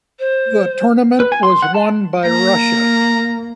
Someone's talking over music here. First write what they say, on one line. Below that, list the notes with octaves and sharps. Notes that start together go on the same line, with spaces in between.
The tournament was won by Russia.
C5
B4
G#5
C6
F#5
A5
A#3 A#5